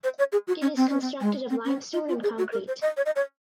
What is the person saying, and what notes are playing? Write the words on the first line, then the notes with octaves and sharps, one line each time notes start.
It is constructed of limestone and concrete.
C5
C#5
G#4
F#4
C#4
C4
C#4
C4
G#3
C4
C#4
F4
F4
G#4
F#4
A#4
C5
D#5
C#5
D#5
C#5